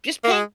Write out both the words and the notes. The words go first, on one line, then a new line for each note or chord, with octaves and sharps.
just pay
A#3
G#3